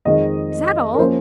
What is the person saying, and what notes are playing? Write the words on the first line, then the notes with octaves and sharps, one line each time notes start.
"Is that all?"
F2 D#3 G#3 C4 D#5
A#4
F3 A#3 C#4 C5